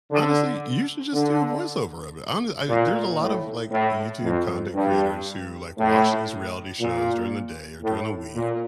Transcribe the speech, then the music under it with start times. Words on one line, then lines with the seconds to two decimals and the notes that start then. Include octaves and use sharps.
Honestly, you should just do a voiceover of it on the I there's a lot of, like, YouTube content creators who, like, watch these reality shows during the day or during the week,
0.11 D3
1.13 D3
2.68 A#2
3.20 A2
3.71 A2
4.23 F2
4.74 G2
5.77 A2
6.80 A#2
7.83 A2
8.35 A#2